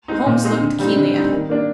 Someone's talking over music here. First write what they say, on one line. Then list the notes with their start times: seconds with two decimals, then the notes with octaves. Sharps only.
Holmes looked keenly at him.
0.08 G#3 C4 D#4
0.26 A#2
0.44 G#3 C4 D#4
0.61 D3
0.79 G3 C4 D#4
0.97 D3
1.14 G3 C4 D#4
1.32 D#3
1.49 A#3 D4